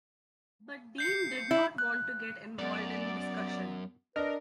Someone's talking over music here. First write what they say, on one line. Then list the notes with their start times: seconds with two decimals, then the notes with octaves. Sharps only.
But Dean did not want to get involved in discussion.
0.98 G6 C7 C#7
1.51 E4
1.78 F#6
2.58 F#2 B3 D5
4.16 D4 A#4 B4 D#5